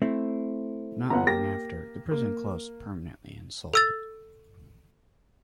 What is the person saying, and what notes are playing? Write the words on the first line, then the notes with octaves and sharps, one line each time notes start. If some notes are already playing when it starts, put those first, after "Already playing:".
Not long after, the prison closed permanently and sold.
A3 C4 E4
G1 B3 F#5 A#5
A#3 G4 A#6
A#3
A4 E6 A6